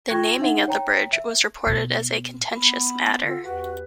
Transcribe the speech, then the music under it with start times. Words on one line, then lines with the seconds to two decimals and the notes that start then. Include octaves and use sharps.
The naming of the bridge was reported as a contentious matter.
0.08 F4 G5 C#6 F#6 G#6 A#6
0.39 D4 D#4 E5 F#5
0.68 C#5 G5 A#5
1.13 E5
1.66 B2
2.55 B3 B5
3.23 D3 F4
3.44 E2 F#4 G4 B4